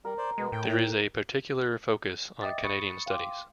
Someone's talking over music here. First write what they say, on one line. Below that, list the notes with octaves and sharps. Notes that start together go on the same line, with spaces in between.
There is a particular focus on Canadian studies.
G3 A#4
C5 D5
B2 G#3
A2 G5
E4
D#5 E5 G5 D6 D#6 A6
B5 C#6 D#6 A6 C#7
F5 G5 C6 D6